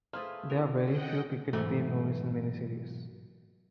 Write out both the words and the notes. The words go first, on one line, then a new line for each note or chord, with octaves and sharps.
There are very few cricket themed movies and mini-series.
A3 G#4 B4 C5 F5 F6
C4 E4 F4 A#4
D3 C#4 D#5 F#5 G5
B1 G#2 E3 A3